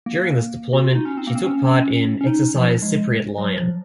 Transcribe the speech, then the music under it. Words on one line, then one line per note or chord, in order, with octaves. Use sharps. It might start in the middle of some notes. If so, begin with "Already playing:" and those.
During this deployment, she took part in Exercise Cypriot Lion.
A#3
F#4
F4
D#4
C#4
C4
A#3
C4
C#4
C#4
D#4
F3
G#3
F#3
F3